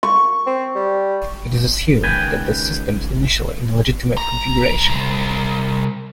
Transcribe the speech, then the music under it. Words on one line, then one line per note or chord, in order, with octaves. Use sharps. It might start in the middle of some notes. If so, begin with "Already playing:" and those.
It is assumed that the system is initially in a legitimate configuration.
C#6
C4
G3
C#2 D#3 B4 G5 G#5
C2 A#5